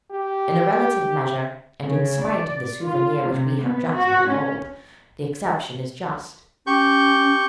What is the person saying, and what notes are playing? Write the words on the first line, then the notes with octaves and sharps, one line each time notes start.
In a relative measure, and in spite of the souvenir which we have just recalled, the exception is just.
G4
C#3
D5
F4
C3
B3
F#4
C#4
C#4 G4 C#6 G6